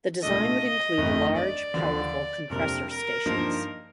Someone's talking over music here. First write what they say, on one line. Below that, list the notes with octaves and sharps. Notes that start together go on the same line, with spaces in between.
The design would include large, powerful compressor stations.
C2 A#2 A3 D4 A4 D#5
G1 F2 D#3 A3 D#4
D5
D#2 D3 F3
F2 C3 G3 A#3 D4 A#4
A#4
G2 F3 A#3 D#4